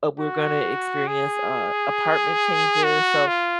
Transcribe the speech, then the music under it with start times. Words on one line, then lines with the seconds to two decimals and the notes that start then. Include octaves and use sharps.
uh, we're gonna experience, uh, apartment changes, so,
0.19 F#4
1.07 G#4
2.84 F#4
3.27 F4